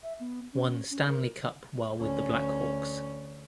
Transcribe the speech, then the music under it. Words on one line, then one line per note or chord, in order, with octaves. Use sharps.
Won Stanley Cup while with the Blackhawks.
E5
B3
C#4
C#4
A#4
D2 C#4